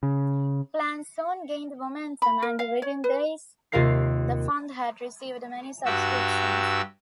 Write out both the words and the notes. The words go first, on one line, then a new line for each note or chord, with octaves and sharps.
Plans soon gained momentum, and within days, the fund had received many subscriptions.
C#3
B5
A#4
F5
C#5
B4
D#2 C3 F4 A#4 F5 C7
G2 F#4 G4 E6